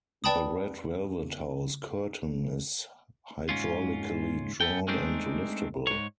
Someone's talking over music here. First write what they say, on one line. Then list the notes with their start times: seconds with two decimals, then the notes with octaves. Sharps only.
The red velvet house curtain is hydraulically drawn and liftable.
0.24 B4 D5 G5 A5 B5 D#6
3.49 G#2 C#4 F4
4.61 B3 A4 G5
4.88 G#3 A3 C4 D4 D#4
5.87 G#2 C#5